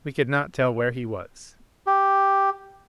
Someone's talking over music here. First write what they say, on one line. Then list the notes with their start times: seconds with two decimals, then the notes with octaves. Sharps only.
We could not tell where he was.
1.87 G4